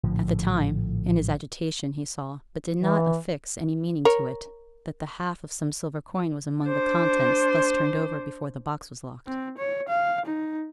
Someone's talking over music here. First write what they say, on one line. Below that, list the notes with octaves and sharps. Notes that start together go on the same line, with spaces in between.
At the time, in his agitation, he saw, but did not affix any meaning to it, that the half of some silver coin was among the contents thus turned over before the box was locked.
A#1 A2 D3 F3
E3
A#4 C#5
D4 C5
C4
C#5
F5
D#4